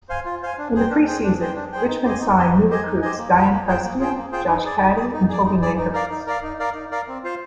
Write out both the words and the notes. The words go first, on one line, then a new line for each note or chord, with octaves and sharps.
In the preseason Richmond signed new recruits Dion Prestia, Josh Caddy and Toby Nankervis.
C5 F5 G#5
F4
C5 F5 G#5
D4
G#4 C5 G5
D4
G#4 C5 G5
D4
G#4 C5 G5
D4
G#4 C5 G5
D#4
G4 C5 D#5 G#5
D#4
G4 C5 D#5 G#5
D#4
G4 C5 D#5 G#5
D#4
G4 C5 D#5 G#5
A#3
F4 G#4 C5 G5
A#3
F4 G#4 C5 G5
A#3
F4 G#4 C5 G5
A#3
F4 G#4 C5 G5
D#4
G#4 D5
D#4
G#4
D5
D#4
G#4 D5
D#4
G#4 D5
D#4
A#4 D5 F5
D#4
A#4 D5 F5
D#4
A#4 D5 F5
D#4
A#4 D5 F5
C4
F4 C5 F5